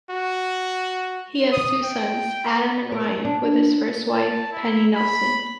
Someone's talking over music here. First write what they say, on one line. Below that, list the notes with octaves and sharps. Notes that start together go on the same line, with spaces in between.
He has two sons, Adam and Ryan, with his first wife, Penny Nelson.
F#4
D#6
G5
A#4
D4
A5
E4
B5